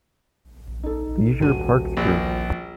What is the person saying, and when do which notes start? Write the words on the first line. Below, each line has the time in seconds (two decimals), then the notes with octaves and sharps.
Leisure Parks group.
0.83 D#4 A4
1.40 D#1 F#4 D#7
1.97 A#1